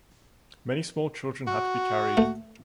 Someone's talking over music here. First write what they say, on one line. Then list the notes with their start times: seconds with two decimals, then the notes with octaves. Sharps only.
Many small children had to be carried.
1.47 F#4
2.17 A3